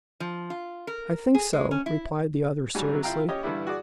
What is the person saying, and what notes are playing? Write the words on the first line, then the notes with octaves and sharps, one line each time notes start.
"I think so," replied the other seriously.
F3
F4
A#4
G#4
G#3
C#4
E4
G#2 F#3 G3 G#5
C3 F#3
E4 F4 F5 G5 A#5
C#4 G4 C#5 D#5
G2 D3 E3 G3 D4 E4
F#4 G#4 D5